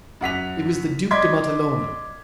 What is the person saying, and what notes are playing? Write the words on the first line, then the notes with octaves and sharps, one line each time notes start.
It was the Duke de Matalona.
F#2 F#5 B6 F7
D5 D#5 C6 D6 G#6 B6